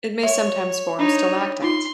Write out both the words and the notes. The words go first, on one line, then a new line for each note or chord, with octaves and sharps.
It may sometimes form stalactites.
C#5 E5
D4 D#4 C#5
D#4 F4 C6